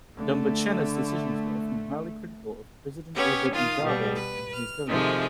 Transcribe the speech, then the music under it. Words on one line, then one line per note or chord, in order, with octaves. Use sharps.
Dumbutshena's decisions were often highly critical of President Robert Mugabe and his government.
D3 A3
B3 C#4 G4 C#5
D#3 F4 F5 D#6
B2 G3
B4
F6
C3 D#3 F3 G#3 A3